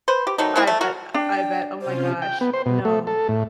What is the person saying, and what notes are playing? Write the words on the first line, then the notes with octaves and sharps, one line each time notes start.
I bet, I I bet, oh my gosh. No.
B4 C5
G4
D#3 F#3 A3 D#4
A#3 C4 E4 G#4
A3
F#4 A#4
D4 G5
C3 C#4 F4 C5
G5
B3
C5
B2
A3
A4
A2